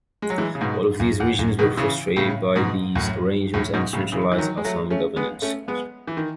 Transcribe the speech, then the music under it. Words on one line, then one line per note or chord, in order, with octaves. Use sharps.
All of these regions were frustrated by these arrangements and centralized Assam governance.
G#3
F#3
E3 G#3
C#3
G#2 B2
F#2
E2
F#2
B2 D#3
C#3 E3
A2 C#3
G#2 B2
F#2 A2
F#2 A2
G#2 B2
A2 C#3
C#3 E3
E3
D#3 F#3
G#3
F#3 A3
A3 C#4
G#3 B3
A3 C#4
G#3 B3
E3
D#3